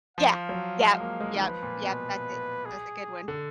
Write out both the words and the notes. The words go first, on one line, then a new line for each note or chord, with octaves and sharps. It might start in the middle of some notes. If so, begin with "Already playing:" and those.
Yeah, yep, yep, yep, that's it, that's a good one.
F3 F5
F#3
G#3
A#3
G#3
D#3
F3 B4
A#2
B2
G#4
D3